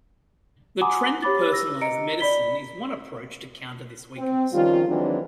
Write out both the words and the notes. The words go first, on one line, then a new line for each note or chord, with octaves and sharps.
The trend to personalized medicine is one approach to counter this weakness.
F#5 G#5 A#5 C6 D6 D#6
G4 C#5 B5 D6 A6
E6 A#6
D#5 A#5 C#7 D7
D5 B5 B6 G7
C4
D#3 F3 G3 C#4 F4
D#3 E3 F#3 G#3 C4 D4